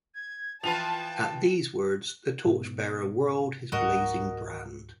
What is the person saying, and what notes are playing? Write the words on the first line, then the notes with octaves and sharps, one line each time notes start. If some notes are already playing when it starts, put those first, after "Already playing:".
At these words, the torch-bearer whirled his blazing brand.
G#6
E3 F3 F4 B4 G5 A5 F7
G#2 B2
C#2 G#2 F#3 F#4 A#4 D#5